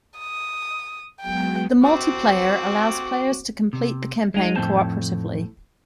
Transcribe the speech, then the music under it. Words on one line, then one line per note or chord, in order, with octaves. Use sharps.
The multiplayer allows players to complete the campaign cooperatively.
D#6
F#3 G#3 B3 G5
C4 F#4 D6
C3
G#3 D#4
F2 A2 C4 C5 A5